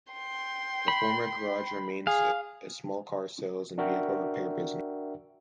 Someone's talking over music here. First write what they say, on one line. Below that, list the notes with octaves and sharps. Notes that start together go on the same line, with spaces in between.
The former garage remains as a small car sales and vehicle repair business.
G5 C6
B5
G#4 F5
D4 F#4 A#4 E5 G5